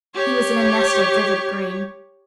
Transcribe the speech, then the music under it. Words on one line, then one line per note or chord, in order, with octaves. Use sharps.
He was in a nest of vivid green.
G4 C#5